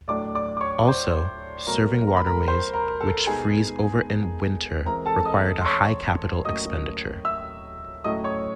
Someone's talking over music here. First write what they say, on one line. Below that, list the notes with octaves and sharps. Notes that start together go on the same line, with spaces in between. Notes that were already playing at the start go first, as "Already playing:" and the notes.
Also, serving waterways which freeze over in winter required a high capital expenditure.
A2 F#3 A3 D4 D5 D6
D5 D6
D6
C#5 C#6
C5 C6
B2 F#3 A3 A#4 A#5
A#5
B5
A#4 A#5
C5 C6
A#4 A#5
A4 A5
B2 G#3 B3 D#4 G#4 G#5
E3 G#3 C4 A#4 A#5
A4 A5
D#5 D#6
C6
C#5 C#6
A2 F#3 A#3 C#4 D#5 D#6
E5 E6
A2 F#3 A3 C#4 E4 D#5 D#6
C#5 C#6